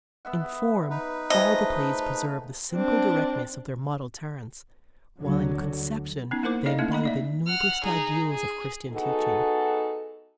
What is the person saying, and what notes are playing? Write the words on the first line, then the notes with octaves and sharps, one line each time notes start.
In form, all the plays preserve the simple directness of their model, Terence, while, in conception, they embody the noblest ideals of Christian teaching.
B3 E5 F#5
D#4 B4
F3 A3 G#4 C5 D#5 E5
C4 D4
D2 D3 F#3
B3 C#4 D#4
A#3 E4 A#4 C5 D6
D#4 A4 D5 D#5 F5
A3 A#3 C#4 E4 E5
A#3 D#5 A#5 B5
D#4 D5 E5
F#5 F6
D#4 G#4
G#4
B3 D#4 F#4 G#4 A4